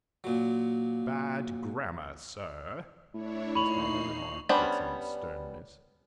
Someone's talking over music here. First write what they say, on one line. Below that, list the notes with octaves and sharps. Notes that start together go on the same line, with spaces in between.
"Bad grammar, Sir!" his father remarked with some sternness.
A#2 F#3
A2 D4 E4 C#5
A#2 D#4 B5 C#6 C7 F7 F#7
G3 B3 C#4 D4 C5